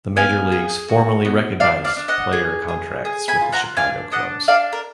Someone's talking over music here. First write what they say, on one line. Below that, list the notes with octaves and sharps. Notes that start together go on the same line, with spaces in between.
The major leagues formally recognized player contracts with the Chicago clubs.
B3 F5 G#5
G#4
F#4
B3
D4 D5 F5
D5 F5
D4
D#5 F#5
G#4
G#4
G#4
G#5 B5
F4
F#5 A#5
D4 F5 G#5
D4 D#5 F#5
D4 D5 F5
A#4